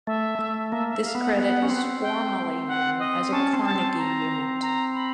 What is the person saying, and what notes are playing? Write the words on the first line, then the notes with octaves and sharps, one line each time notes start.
This credit is formally known as a Carnegie Unit.
A3 E5
A3
A#3 E5
E5
F5
B3
F#5
B3 F#5
C#4
C4
G5
F#5
D#5
C#4 A5
C4
A5
C4
A#5
A#5
B5